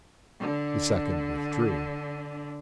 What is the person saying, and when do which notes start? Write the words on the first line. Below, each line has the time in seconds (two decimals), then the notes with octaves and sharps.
The second withdrew.
0.40 D3 D4